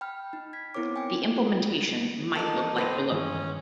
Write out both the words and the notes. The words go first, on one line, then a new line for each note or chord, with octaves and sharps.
The implementation might look like below.
G5 B5 F6
D#4
G#6 B6
B3 C4 E4 A#4 C#5 D6
G5 G#5 D6
A#3 D#4 A4 D5
G#2 C4 B4 D#5
G2 D#3 E3 C#4